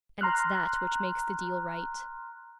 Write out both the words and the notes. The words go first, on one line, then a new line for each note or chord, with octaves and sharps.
And it's that which makes the deal right.
A#5 C6 F6 F#6